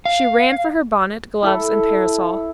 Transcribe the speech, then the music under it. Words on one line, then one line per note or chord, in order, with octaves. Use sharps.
She ran for her bonnet, gloves and parasol.
F5
E4 A4